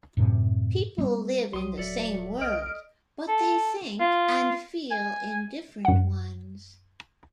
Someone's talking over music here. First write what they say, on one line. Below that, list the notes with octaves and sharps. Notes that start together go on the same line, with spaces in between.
People live in the same world, but they think and feel in different ones.
F#2 A2 C3
G3 B3 C#4
C2 F#3 C6 D#6
D#1 A4 D5 E5 C#7
C2 D#5 F6 D7
A4
F4
G#5
F#2 F#5